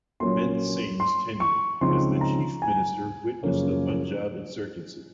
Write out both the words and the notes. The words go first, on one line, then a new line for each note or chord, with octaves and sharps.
Beant Singh's tenure as the chief minister witnessed the Punjab insurgency.
A#1 A#2 F#3 A#3 C#4 C6
C6
C#6
C#2 C#3 F3 C4 D#4 C6
A#5
G#5
F#2 C#3 F3 A#3 C#4